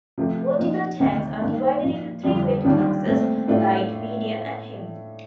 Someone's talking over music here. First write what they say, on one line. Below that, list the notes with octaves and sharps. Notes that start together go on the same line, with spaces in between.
Vertical tanks are divided into three weight classes: light, medium and heavy.
C3 F3 A3
A#2 F3 A#3 D#4
D2 C3 D#3 A#3 D#4
G2 D#3 A#3
A#2 F3 A#3
F2 D3 G3
D#2 D#3 G3 D4 F4
A#2 A3 C4
A2 A3 D4 F4